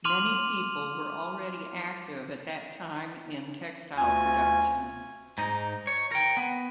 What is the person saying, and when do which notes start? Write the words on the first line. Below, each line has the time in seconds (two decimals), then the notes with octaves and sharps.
Many people were already active at that time in textile production.
0.04 C6 D6 F6 D#7 F7 F#7
3.97 D2 C#4 F4 G#5
5.38 G#2 D#4
5.87 C#5
6.12 A#4 G5
6.37 B3